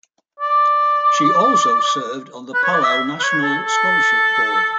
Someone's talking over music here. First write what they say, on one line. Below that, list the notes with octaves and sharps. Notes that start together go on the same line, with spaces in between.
She also served on the Palau National Scholarship Board.
D5
B4
C#5
D5
E5
B4
C#5
A4
A4